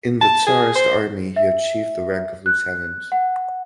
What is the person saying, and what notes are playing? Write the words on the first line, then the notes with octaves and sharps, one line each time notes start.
In the Tsarist Army he achieved the rank of lieutenant.
A5
G#4
C5
E5
F#6
F#5